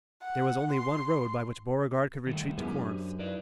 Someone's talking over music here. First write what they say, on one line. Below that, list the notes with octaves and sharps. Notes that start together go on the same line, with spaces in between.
There was only one road by which Beauregard could retreat to Corinth.
F#5
C6
D#3 G3 A3
F#2 G#3 B3 E4 G4 G#4
D4 C5
D#4 E4 B4 D5